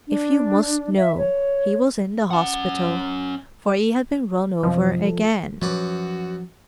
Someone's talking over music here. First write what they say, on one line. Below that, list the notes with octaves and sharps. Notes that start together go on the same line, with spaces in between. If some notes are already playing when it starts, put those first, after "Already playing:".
If you must know he was in the hospital, for he had been run over again.
D4
E5
C#5
C#4 F#5
F#2 C3 F3 D#5
A4
F#2 F3 F#3 F#4 B4 D6